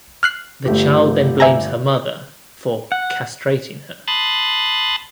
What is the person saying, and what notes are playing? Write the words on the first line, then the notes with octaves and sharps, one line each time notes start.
The child then blames her mother for "castrating" her.
F6 F#6 C7
G1 A3 G4
E5 G#5 A#5
F#5
A5 B5 C6 D#6 F#6 A6